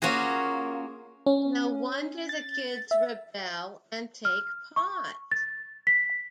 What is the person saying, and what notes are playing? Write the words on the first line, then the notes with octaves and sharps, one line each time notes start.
No wonder the kids rebel and take pot.
A#3 C#4 F4 F#4 G#4
C#4
A6
E5
F6
C#6
A6
B6